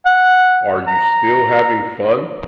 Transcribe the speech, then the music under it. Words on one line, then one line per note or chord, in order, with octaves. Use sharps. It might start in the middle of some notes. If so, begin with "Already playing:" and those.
Are You Still Having Fun?
F#5
A#5